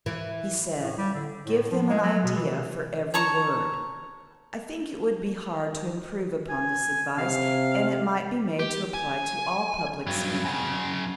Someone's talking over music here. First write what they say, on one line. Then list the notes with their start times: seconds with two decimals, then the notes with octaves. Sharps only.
He said: "Give them an idea for every word." I think it would be hard to improve upon this advice; and it might be made to apply to all public speaking.
0.06 E3
0.82 A2
0.98 G3
1.14 D3
1.44 A2
1.71 F3
1.90 G#3
2.03 F#3
2.23 B2
2.36 E3
2.51 C3
3.14 C#5 A5 A#5 C#6
6.50 G#5
7.18 C3 F5
8.59 G4
8.94 G#5
10.07 G2 F#3
10.45 F#2 C#3